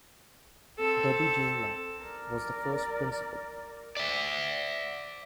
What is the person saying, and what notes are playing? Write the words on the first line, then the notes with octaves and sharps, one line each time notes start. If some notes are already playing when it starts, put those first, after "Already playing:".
Debbie Dunlap was the first principal.
C4 A4
A#4 D5
D5 E5